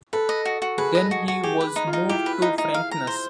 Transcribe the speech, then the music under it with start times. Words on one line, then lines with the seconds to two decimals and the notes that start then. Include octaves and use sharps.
Then he was moved to frankness.
0.13 A4 B4
0.29 D#5
0.45 F#4
0.62 F#4
0.78 G#4 B4
0.95 D#5
1.11 F#4
1.28 F#4
1.43 G4 G#4
1.61 B4
1.76 D#4
1.87 F4
1.93 D#4
2.09 E4 G4
2.26 B4
2.42 D#4
2.58 D#4
2.74 F5
2.91 A#5
3.07 C5